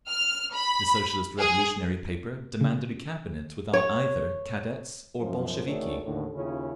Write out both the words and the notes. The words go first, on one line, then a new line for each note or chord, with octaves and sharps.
The Socialist Revolutionary paper demanded a Cabinet without either Cadets or Bolsheviki.
F6
B5
G#4
C#3
C#5
F#2 F3 C5
D2 D#3 A3 G#4 C#5 D5
D#2 A2 D3
D#2 C#3 C#4 E4 F4 G#4